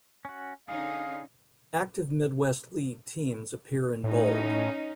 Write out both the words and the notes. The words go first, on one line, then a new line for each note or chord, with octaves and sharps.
Active Midwest League teams appear in bold.
C#4 F#4
D3 C#4 D#4 G#4 F5
A2 C#4 D#4